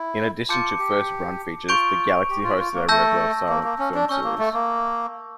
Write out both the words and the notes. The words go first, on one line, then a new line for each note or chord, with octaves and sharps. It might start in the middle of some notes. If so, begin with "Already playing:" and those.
In addition to first-run features, The Galaxy hosted a regular silent film series.
Already playing: E4
F4 A5 D6 G6 C#7
G4
F4 C#6 G6 D7 F7
G4
F4
F4
A#3
A3 A5 E6 G6 A#6
A#3
A#3
C#4
D4
C#4 C#6 E6 G6
A#3
A3
A#3